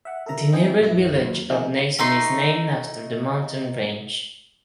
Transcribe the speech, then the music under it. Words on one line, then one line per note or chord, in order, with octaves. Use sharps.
The nearby village of Nason is named after the mountain range.
E5 F#5
A4 A#4 E5 A#5
C4 C#4 E4 D#5 G5 G#5
A#1 F#2 E4 B4 A#6
D#2 A#2 F#3
C3 D#3 F3 A3 D#4 G#4
A3 D#4 C6